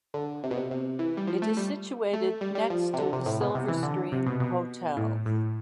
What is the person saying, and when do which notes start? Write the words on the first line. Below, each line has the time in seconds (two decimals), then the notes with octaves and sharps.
It is situated next to the Silverstream Hotel.
0.14 D3
0.44 C3
0.51 B2
0.57 C3
0.71 C3
0.99 E3
1.17 G3
1.27 F3
1.42 A3
1.57 G3
2.13 A3
2.41 G3
2.55 G3
2.70 F3
2.94 C3
2.98 D3
3.13 C3
3.26 A2
3.41 B2
3.55 C3
3.68 E3
3.83 D3
4.12 C3
4.26 B2
4.40 B2
4.97 A2
5.26 A2